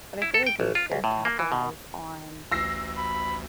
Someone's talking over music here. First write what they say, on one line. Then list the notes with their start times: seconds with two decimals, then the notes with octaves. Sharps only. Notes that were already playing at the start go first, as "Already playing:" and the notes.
but I feel like you should capitalize on
0.22 E4
0.34 A4
0.47 G5
0.60 A1
0.75 F4
0.92 C#2
1.04 A2
1.25 A#3
1.39 E3
1.52 B2
2.52 A1 D2 E6 A#6 C7
2.97 B5